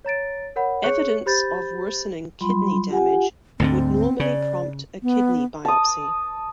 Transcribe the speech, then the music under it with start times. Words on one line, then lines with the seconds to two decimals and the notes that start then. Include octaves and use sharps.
Evidence of worsening kidney damage would normally prompt a kidney biopsy.
0.05 C#5 A#5 A6 D7
0.56 A#4 C#5 F#5 B5
0.84 G#4 C#5 C#6 F#6 C#7
1.26 G4 C5 B5 G6 A6
2.41 F#3 G3 F4 B5 C6
2.90 F4 G4 F#5 G#5
3.60 D2 G#2 D3 C4
4.20 C#3 D5
5.02 B3
5.65 A5 D#6